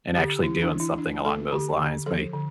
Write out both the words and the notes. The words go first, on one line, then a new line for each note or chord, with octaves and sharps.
and actually doing something along those lines. My
D3 G4
E3 E4
D4
E3
E4
D4
A3 A4
D3 G4
D3
F3 A4
D3